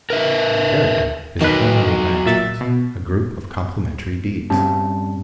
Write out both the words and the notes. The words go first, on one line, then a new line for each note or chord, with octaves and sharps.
Character is a harmony of actions, a group of complementary deeds.
A#4 B4 E5
D#3 F#3 B4 D#5
A#2 E5 A6
B2
G2 C4 C#4 G4 A5